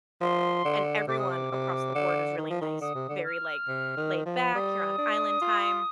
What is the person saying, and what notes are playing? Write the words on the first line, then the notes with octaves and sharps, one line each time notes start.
and everyone across the board was really nice, very, like, laid-back, you're on island time,
F3 C6
D3
C3 D6
D#6
D6
C3
D3
D#3
F3
D#3
D3 D#6
C3
D3
F6
C3
D#3
F3
G3 D#6
D4
F4